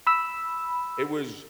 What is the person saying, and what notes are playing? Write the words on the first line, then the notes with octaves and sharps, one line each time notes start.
it was
B5 E6